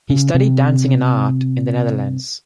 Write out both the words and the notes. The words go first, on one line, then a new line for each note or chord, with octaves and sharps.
He studied dancing and art in the Netherlands.
C#3
C3